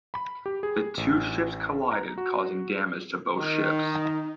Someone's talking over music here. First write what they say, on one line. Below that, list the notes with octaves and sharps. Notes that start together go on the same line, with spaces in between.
The two ships collided causing damage to both ships.
B5
G4
G#4
A1
A#5
F#4
D#3 D#4